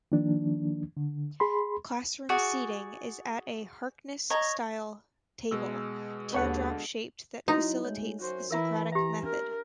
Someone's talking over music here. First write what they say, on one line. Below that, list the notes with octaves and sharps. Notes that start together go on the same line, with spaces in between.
Classroom seating is at a Harkness style table, teardrop-shaped that facilitates the socratic method.
D#3 F3 A#3 D4
D3
G#4 B5 C6
F#4 G#4 D5
C#5 D#5 A#5
B2 G#3 E6
D#2 D3 B3 C#5 F#5
F#3 D#4 E4 F#4
G#3 A3 C#5
F#2 F#4 C5
E3 E4 A#4 E5 A#5
G4 E5 A#5
D4 A#4